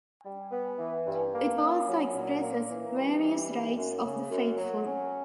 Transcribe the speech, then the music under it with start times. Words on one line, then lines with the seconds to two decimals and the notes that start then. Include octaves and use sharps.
It also expresses various rights of the faithful.
0.25 G3
0.51 B3
0.78 E3
1.05 G2
1.33 A#3
1.60 C#4
1.87 F#3
2.14 A#2
2.41 A#3
2.68 E3
2.96 G3
3.23 E3
3.49 G3
3.76 F#2
4.04 C#3
4.30 F#2
4.58 F#3
4.85 C#4